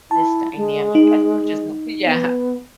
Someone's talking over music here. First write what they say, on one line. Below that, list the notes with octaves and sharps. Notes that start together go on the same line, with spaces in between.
this dynamic as much as I" Yeah.
E4 A5
G#3
D#4
B3